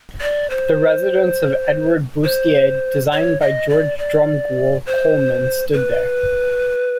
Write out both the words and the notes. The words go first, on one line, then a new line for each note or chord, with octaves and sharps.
The residence of Edward Boustead designed by George Drumgoole Coleman stood there.
D5
C5
C5
C#5
D#5
D5
D5
C5
B4